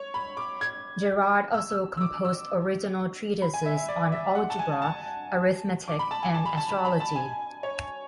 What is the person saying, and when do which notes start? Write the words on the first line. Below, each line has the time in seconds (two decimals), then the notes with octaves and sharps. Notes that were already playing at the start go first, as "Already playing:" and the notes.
Gerard also composed original treatises on algebra, arithmetic and astrology.
Already playing: C#5
0.14 B5
0.37 D6
0.61 G#6
1.54 E6
1.71 E6
1.97 E6
2.01 D6
2.25 E6
3.42 B5
3.54 G#5
3.66 E5
3.77 E5
3.88 D5
4.12 E5
4.35 F#5
4.50 A5
4.59 G#5
4.82 A5
5.88 D6
5.99 B5
6.11 A5
6.23 G#5
6.34 A5
6.46 B5
6.57 A5
6.69 B5
6.85 B5
7.00 A5
7.16 G#5
7.63 C#5